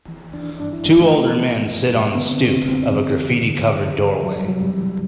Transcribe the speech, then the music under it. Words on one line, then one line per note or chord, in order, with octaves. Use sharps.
Two older men sit on the stoop of a graffiti covered doorway.
E3
E3 D4
G2 D4
E4
G2 D4
A3
E3 A3
E3
G2
G2
D3 B3
C4
D3 D4
C4
F#2 C4
F#2 E3
D3 E3
D3
G2
G2
E2 F#3
G3
C3 F#3
G3
E3